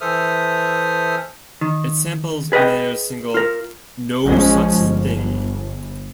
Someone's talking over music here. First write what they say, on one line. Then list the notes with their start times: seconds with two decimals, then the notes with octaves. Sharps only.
It samples Mayer's single, "No Such Thing".
0.01 E3 A4 C5 E5 D#6 F6
1.61 D#3
2.52 G#4 B4 D5 D#5 G5
3.34 F4 A#4
4.24 A#1 F3 G#3 C#4
4.77 G1